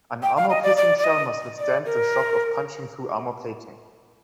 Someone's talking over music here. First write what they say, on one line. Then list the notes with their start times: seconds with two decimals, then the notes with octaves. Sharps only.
An armor-piercing shell must withstand the shock of punching through armor plating.
0.23 G5
0.36 F5
0.50 D#5
0.63 D5
0.77 D5
0.98 D5
1.04 D#5
1.59 D5
1.86 A#4